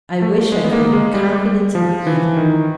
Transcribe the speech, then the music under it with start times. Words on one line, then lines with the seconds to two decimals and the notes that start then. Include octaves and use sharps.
I wish I could have confidence in either.'
0.22 A3
0.52 G#3
0.64 B3
0.72 A#3
0.93 G#3
1.14 G3
1.75 F3
2.07 E3
2.37 D#3